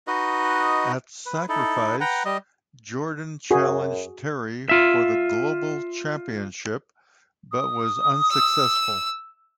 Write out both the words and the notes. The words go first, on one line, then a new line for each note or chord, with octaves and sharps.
At Sacrifice Jordan challenged Terry for the Global Championship, but was unsuccessful.
D#4 F#4 B4 D#5
B4
D#4 E4 A4
B4 F#5 G5 A#5
G3 D#5
F#2 F#4 G#4
F4 E5
D#6
E6